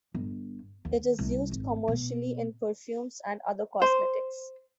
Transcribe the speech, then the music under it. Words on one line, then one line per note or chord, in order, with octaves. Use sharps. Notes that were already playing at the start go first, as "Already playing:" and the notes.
It is used commercially in perfumes and other cosmetics.
G1
D#2
C2
G#1
B2
C5